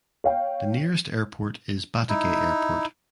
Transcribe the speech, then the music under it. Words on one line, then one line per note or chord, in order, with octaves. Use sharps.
The nearest airport is Batagay Airport.
C#5 F5 G5
D#4 E4